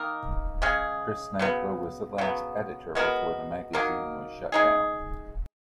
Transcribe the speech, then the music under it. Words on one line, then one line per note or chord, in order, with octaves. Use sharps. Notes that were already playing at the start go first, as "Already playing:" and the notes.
Chris Nadler was the last editor before the magazine was shut down.
Already playing: D#3 A#3 D#4 A#4
C#3 G#3 C#4 G#4
C#3 F#3 B3
C#3 F#3 B3
G#3 B3 F#4 A#4
F#3 A#3 D#4 A#4
G#3 D#4 G#4